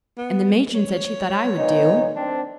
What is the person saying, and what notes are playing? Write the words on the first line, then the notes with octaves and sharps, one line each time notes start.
And the matron said she thought I would do.
B3
C#5
A#2 B3 D#4
C4 D4